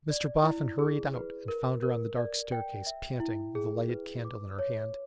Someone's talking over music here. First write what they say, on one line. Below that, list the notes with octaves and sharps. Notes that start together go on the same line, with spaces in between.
Mr Boffin hurried out, and found her on the dark staircase, panting, with a lighted candle in her hand.
D5
E4
G#4
B4
A#4
A#4
D5
G5
E5
E4
G#4
B4
D6
C#5